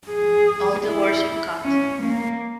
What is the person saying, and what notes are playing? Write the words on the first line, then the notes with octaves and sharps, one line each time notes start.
All the words you've got.
G#4
E4
C#4
A#3